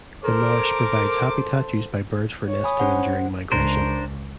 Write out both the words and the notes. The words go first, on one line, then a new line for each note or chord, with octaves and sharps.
The marsh provides habitat used by birds for nesting and during migration.
A4 A#4 C5 D6
C#5
G#5 B5 D#6
C#4 C5 F#5
C#2 D4 A#4 C5